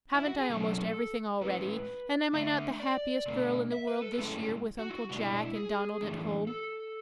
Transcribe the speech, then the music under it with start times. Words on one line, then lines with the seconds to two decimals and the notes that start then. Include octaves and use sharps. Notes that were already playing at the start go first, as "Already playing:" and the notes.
Haven't I almost everything already, and am I not the happiest girl in the world this year, with Uncle Jack and Donald at home?
0.14 E4
0.26 F#4
0.38 G#4
0.50 B2 F#3 C#4 E4 A4
1.41 A2 G#3 C#4 E4 B4
2.33 D3 A3 D4 E5
2.80 D5
3.26 B2 A3 D4
3.72 E5
3.87 B4
4.02 A4
4.12 B4
4.18 A2 G#3 C#4 E4 A4
4.79 F#4
4.90 E4
4.94 F#4
5.09 B2 G#3 D4 F#4
5.19 E4
5.36 E4
5.55 G#4
6.01 A2 E3 A3 D4
6.47 A4